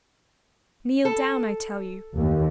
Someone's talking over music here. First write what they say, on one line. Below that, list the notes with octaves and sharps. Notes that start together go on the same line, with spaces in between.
Kneel down, I tell you.
A4
D#2